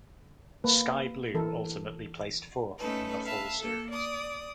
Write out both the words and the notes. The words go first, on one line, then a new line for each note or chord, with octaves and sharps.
Sky Blue ultimately placed fourth in the Fall Series.
A#3 B4
E3 A4 A#4
A3 C#4 D#4 A4 B4
B4 E5 F5 A5 E6
A#3 A4
D5 D#6